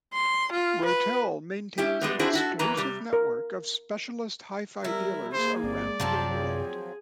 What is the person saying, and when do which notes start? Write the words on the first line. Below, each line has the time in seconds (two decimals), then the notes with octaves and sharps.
Rotel maintains an exclusive network of specialist hi-fi dealers around the world.
0.14 C6
0.53 F4
0.86 B4
1.78 C#4 E4 G4
2.01 G3 G#3 B3
2.19 C4 D4 E4 F#4 G#4 C5
2.33 E4 F#4 A4
2.59 F#2 E3 A#3 B4 A#5
2.77 C3 G3
3.13 A#4
4.85 G3 E4 A#4
5.33 A#3 G#4 C5
5.63 G1 C4 D5
6.00 F#2 C3 F3 F#3 C4 G#4 A5
6.29 G#4